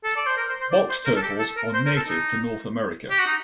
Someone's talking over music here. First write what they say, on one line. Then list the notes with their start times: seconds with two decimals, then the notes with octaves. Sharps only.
Box turtles are native to North America.
0.04 A4
0.17 D5
0.26 C5
0.37 A#4
0.49 C5
0.61 C5
0.71 D5
0.89 C5
1.05 A#4
1.16 A4
1.22 G4
1.39 A4
1.56 A#4
1.74 C5
1.85 A#4
1.96 A4
2.08 D#4
3.10 G4
3.19 F#4
3.26 D#4